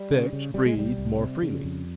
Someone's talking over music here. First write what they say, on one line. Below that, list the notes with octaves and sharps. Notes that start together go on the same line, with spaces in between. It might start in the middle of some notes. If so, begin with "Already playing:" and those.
Fix breathed more freely.
Already playing: G3
C#3
C#3
C3 G3
G#3
C2 G3
C2
C3
C#3
F2